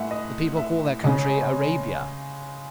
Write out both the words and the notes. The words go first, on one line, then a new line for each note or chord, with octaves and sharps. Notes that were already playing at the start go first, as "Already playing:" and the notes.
The people call their country Arabia.
Already playing: A2 G#3 E5 F#5
D#5
E5
C#3 G#3 C#4 D#5